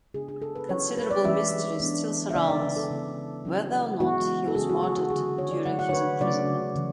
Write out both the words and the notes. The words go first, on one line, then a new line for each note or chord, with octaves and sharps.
Considerable mystery still surrounds whether or not he was murdered during his imprisonment.
C#3 G#3 B3 D4 G#4
G#4
A4
B4
F#3 C#4 E4 C#5
B4
D5
E3 G#3 C#4 E4 E5
E3 B3 D4
E5
C#3 G#3 B3 E4 D5
D5
B4
A4
C#3 E3 B3 E4
F#3 C#4 E4
E3 G#3 B3 E4 F#4
A4
C#3 G#3 C#4 G#4
F#4
G#4
F#4
D3 F#3 C#4 E4 G#4
C#5
D5
D3 F#3 A3 E4 F#5
F#5
C#5
B4
C#3 F#3 A3 D5
C#3 E3